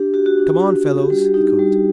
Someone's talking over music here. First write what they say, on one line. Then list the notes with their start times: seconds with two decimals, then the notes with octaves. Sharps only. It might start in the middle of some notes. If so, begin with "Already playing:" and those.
"Come on, fellows!" he called.
Already playing: D4 G4
0.14 F#4 G4
0.26 F#4
0.38 D4
0.49 F#4
0.62 D4
0.86 F#4
0.98 G4
1.10 G3 G4
1.22 G4
1.34 D#4 G4
1.59 G3